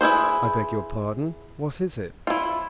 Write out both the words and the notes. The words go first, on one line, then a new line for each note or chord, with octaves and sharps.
"I beg your pardon; what is it?"
E4 G#4 B4 C5
E4 F4